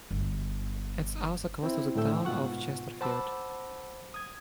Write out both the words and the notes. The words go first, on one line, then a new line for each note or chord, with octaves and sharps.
It is also close to the town of Chesterfield.
G1
C4 E4
A2 D3 A3 G5 E6
G#2 B2 F4 F#5 C#6
C5 F#5 A5 B5 D6 E6
D#6 G#6